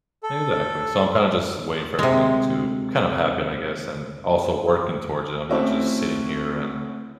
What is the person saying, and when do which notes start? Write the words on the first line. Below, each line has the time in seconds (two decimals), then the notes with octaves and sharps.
Exactly. So I'm kinda just waiting for everything to kind of happen, I guess, and also working towards it. I'm not just sitting here and
0.23 A4
1.99 C3 G#3
5.49 A3 C4 C#4 E4 F#4